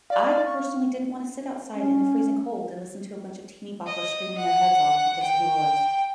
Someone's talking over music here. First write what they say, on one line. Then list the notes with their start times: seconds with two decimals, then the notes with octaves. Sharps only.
I personally didn't wanna sit outside in the freezing cold and listen to a bunch of teenyboppers screaming their heads off because of who I was
0.10 D5 F5
0.45 C#6
1.74 C#4
3.86 D#5
4.37 F#5
5.22 G5